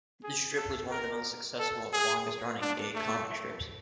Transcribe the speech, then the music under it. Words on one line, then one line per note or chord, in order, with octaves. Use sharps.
The strip was one of the most successful and longest-running gay comic strips.
G#4
A4
A#4
A4
G#4
D4
A3